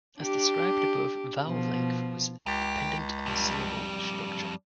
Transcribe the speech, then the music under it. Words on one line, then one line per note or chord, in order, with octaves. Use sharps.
As described above, vowel length was dependent on syllable structure.
D4 G4
B2 F3
C#2 G4
F2 G3